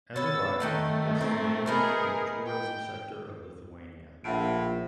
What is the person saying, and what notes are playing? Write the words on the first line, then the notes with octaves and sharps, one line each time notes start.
Azerbaijan invests mainly in the tourism sector of Lithuania.
B3 C#4 E6 A6
D#3 A3 D#4 F#5
A#2 C4 A#4
A3 B3 D#4 G#4 A#4
G5
A#1 A2 F4 E5 F#5 D7